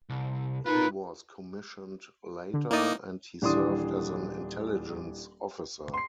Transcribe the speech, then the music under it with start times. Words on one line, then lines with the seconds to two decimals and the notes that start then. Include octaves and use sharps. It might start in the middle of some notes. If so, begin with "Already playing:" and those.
He was commissioned later, and he served as an intelligence officer.
0.10 C2
0.66 D#4 F4 A#4 B4
2.54 D3
2.71 A#3 D#4 E4 D5 D#6
3.42 D#1 E3 D4 C6 D#6
5.94 C6 C7